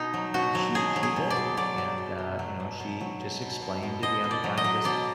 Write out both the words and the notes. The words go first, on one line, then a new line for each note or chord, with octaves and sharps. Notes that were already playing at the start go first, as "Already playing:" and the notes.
eh, she she did. And, uh, you know, she just explained to the other guy, "This
Already playing: B2 D#4
F#3
B2 F#4
F#3
B2 G#4
F#3
G#4
B2
D5
B2
F#3 D5
F#3
B2
B2
F#3
B2
B2
F#3
B2
B2
B2
B2
B2 D#5
B2
D5
F#3
D#5
F#3
B2 D5